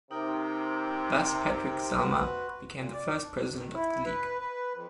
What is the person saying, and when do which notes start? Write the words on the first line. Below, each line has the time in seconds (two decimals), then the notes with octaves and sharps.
Thus, Patrick Celma became the first president of the league.
0.11 C3 D#4 A#4 G5
1.95 F#4 B4 C6
2.77 A#2
2.93 D5
3.23 D4
3.53 D#3
3.73 E4
4.05 B4
4.39 B4
4.73 F2